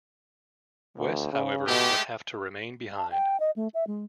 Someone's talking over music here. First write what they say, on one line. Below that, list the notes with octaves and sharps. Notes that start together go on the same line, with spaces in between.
Wes, however, would have to remain behind.
D2
C#3
B2 G#3 A3 G4
A5
G5
D#5
A3
E5
G#3